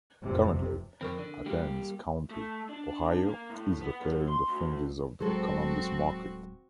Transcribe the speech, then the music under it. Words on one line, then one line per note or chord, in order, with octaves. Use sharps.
Currently Athens County, Ohio is located in the fringes of the Columbus market.
F1 C3
F2 D3 C4 A#4 C#6
D3 D5
G3 A#3 G4
A3
D4
A#3
A2
B3
F#2
C6
D2
D1 F#3 G#3 C4 F#4 A4 C5